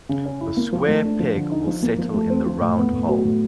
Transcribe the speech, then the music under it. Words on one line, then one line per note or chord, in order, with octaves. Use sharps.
The square peg will settle in the round hole.
C#3
C#4
E4
A#3
F3
A3
D4
F3
D3
D#4
F3
A#3
F3
A3
C4
F3
A2
B3
A2
F#3
A2